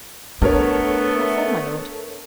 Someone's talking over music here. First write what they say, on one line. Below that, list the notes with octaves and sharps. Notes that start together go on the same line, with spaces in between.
"What for, my Lord?"
A3 B3 D4 A4 A#4 C#5